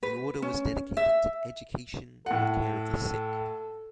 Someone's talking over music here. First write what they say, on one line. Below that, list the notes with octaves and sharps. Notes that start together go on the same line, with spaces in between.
The order was dedicated to education and care of the sick.
B4
C#4
E5
A2 A4 F#5